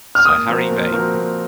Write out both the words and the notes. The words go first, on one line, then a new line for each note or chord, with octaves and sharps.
Sir Harry Vane!
F6
A#2 D#6
F3 C4 F#4 A#4
A#2
F3 C4 F#4 A#4
A#2